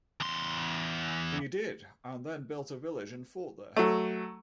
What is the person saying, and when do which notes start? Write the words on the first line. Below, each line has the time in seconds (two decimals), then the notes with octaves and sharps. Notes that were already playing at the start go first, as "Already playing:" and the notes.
He did and then built a village and a fort there.
0.20 E2 C6
3.77 F#3 A3